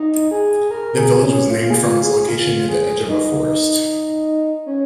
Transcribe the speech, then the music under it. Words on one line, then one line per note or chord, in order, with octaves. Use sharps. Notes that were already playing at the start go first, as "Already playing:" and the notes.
The village was named from its location near the edge of a forest.
Already playing: D#4
G#4
A#4
G#4
C#4
F4
G#4
F4
G#4
F4
G#4
D#4
C#4